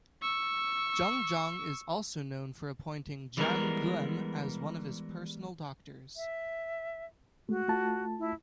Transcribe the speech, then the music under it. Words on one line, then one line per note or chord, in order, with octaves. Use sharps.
Jungjong is also known for appointing Jang Geum as one of his personal doctors.
C#6 E6
E3 G3 G#3 B3 D#4 A#4
E5
G#3 A3 F#4
A3 F4 A5
E4